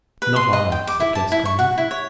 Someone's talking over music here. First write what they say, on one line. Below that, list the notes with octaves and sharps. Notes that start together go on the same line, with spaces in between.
"Not I," said Gascoyne.
B4
C6
D#5
G5
D6
E4
A5
E4
C#6
F#4
E4
C#5